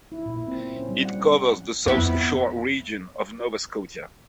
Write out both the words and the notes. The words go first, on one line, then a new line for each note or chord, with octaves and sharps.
It covers the South Shore region of Nova Scotia.
E4
A#2
C4
C#4
G3
F#5
F2 B3 E4